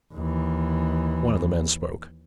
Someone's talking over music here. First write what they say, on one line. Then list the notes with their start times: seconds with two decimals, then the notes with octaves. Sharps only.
One of the men spoke.
0.14 D#2 E3